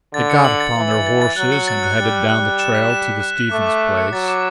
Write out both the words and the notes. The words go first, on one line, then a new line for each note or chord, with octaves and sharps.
They got upon their horses and headed down the trail to the Stevens place.
D3 A6
C#7
F#7
A6
E3 A6
A6
A6
A6
F#3 F#6
C#7
A6
F#6
G3 A6
F#6
G3 F#6
F#6
E7
B6
E7
E7
F#6
F#6
A3 D6
D6
D6
C#7
F#3 A6
D6